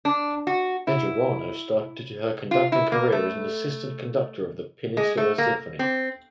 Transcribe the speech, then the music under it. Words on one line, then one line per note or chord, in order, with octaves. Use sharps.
Bejarano started her conducting career as an assistant conductor of the Peninsula Symphony.
D4
F#4
E4
F4
E4
A#3
A3
G#3
A3
A#3
C4